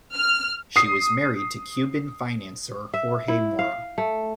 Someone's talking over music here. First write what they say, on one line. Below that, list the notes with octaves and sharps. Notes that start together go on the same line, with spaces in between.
She was married to Cuban financer Jorge Mora.
F6
D#6 C7
E5
E4
F5
A3